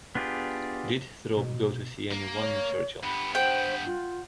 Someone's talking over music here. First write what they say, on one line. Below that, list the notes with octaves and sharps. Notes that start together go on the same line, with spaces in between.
Did Thorpe go to see any one in Churchill.
B3 D4 F4 G4 G#4
B2
A#3
C#5
G2 B3 B5
C5 F#5 G5
F4